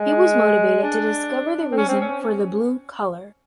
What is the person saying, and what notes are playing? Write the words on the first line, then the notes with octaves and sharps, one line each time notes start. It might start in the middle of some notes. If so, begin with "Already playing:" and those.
He was motivated to discover the reason for the blue colour.
Already playing: G#3
D4
C4
C#4
C4
C#4